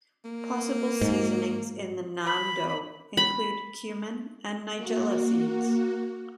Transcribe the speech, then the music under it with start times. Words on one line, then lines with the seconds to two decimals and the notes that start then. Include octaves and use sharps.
Possible seasonings in the naan dough include cumin and nigella seeds.
0.25 A#3
1.01 G#2
2.25 B5
3.17 B5
4.76 A#3 F#4